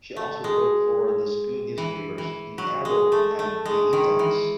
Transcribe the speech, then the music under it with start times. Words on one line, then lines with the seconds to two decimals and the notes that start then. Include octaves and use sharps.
She also wrote for the school newspapers "The Arrow" and "The Index".
0.16 A3
0.44 G#3
1.78 E3
2.18 E3
2.58 F#3
2.85 G#3
3.12 A3
3.39 A3
3.66 G#3
3.93 D#3
4.19 E3